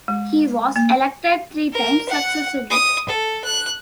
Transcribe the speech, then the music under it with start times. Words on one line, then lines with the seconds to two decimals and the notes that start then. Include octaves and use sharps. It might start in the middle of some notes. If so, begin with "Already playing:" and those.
He was elected three times successively.
0.08 G#3
0.76 A#3
1.72 A#4
2.08 F#5
2.70 D#6
3.09 A4
3.44 F#6